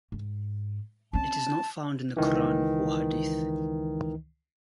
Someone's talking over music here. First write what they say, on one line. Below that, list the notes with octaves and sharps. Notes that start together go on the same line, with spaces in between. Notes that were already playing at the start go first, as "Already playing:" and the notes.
It is not found in the Quran or Hadith.
G#2
C4 C#4 A5
C#2 D#3 E3